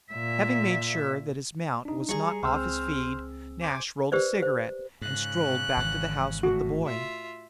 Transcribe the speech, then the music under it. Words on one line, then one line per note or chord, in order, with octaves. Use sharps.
Having made sure that his mount was not "off his feed," Nash rolled a cigarette and strolled back to the house with the boy.
A#2 E5
D4 D#4
G3 G#4 A#5 C#6
C#2 C4 C5 E6 F6
C5 G#5 D6
G4 B4 C5 D5
C5
G#2 C#3 F#6
G#1 E3
A2 F#4
F4 E5